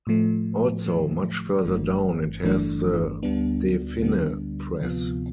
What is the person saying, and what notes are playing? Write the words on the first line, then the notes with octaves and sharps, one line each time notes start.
Also, much further down it has The De Vinne Press.
A2 F3 A3
A2 F3 A3
G1 G2 E3 A3 D4
G1 G2 E3 A3 D4
D2 D3 G3 B3 D4
D2 D3 G3 B3 D4
D2 C3 F3 B3 F4